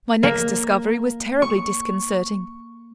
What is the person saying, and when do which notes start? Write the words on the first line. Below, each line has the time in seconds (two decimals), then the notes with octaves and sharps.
My next discovery was terribly disconcerting.
0.23 A#3
1.42 C#6